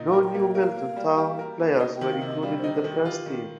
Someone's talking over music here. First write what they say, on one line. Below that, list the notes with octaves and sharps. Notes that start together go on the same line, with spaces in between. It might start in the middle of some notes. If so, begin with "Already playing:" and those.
No New Milton Town players were included in the first team.
Already playing: A#2 A#3 D#4
A#4 F5
G5
A#3
G5
D#5
A#4 F5
A#3
G3
G4
A#4
A#3
C5
D#4 D#5
G5
D#3
F5
C3
D#5
G3 F5
C5
D#4
C5
D#3 G4
F4
D#3